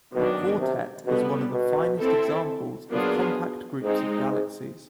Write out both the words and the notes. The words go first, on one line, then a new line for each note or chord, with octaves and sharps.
The quartet is one of the finest examples of compact groups of galaxies.
B2 D#3 F#3 B3 D4
C3
B2 D3 G3 B3
B2
C4 E4 A4
A#2 F#3 B3 D4 F4 G#4
G#2 G#3 C4 D#4
G#2